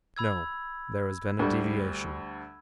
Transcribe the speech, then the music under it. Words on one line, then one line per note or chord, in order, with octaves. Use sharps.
No, there has been a deviation.
B5 E6 G#6
D2 D3 G3